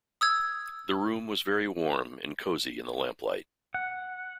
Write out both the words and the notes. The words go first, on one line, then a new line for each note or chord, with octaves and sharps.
The room was very warm and cosy in the lamplight.
D#6 E6 G#6
F#5